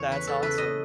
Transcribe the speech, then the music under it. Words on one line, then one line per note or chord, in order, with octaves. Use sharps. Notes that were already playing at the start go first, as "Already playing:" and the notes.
That's awesome.
Already playing: E2 C#3 C#5
E3 B4
A4
C#3 B4
D#5